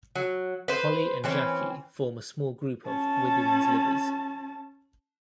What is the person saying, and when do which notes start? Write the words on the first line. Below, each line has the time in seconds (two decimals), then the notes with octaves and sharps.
Holly and Jackie form a small group of "women's libbers".
0.15 F#3
0.68 B4 C5
1.24 E3 C4 C#4
2.86 C#4 A5